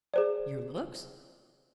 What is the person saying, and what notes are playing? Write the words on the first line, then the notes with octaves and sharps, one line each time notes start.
"Your looks?"
G#4 C5 D5